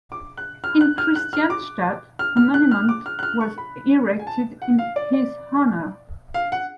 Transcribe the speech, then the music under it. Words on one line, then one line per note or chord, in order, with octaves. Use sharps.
In Kristianstad, a monument was erected in his honor.
D6
F#6
F6
F#6
F6
F#6
F6
D6
F6
F6
F#6
F6
D6
F6
F#6
F6
C#6
B5
G#5
A5
F#5
F5
D5
D5
F5
F#5